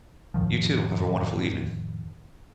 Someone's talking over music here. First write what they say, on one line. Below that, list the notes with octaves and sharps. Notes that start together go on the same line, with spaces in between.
You too. Have a wonderful evening.
F2 A2 D#3 F3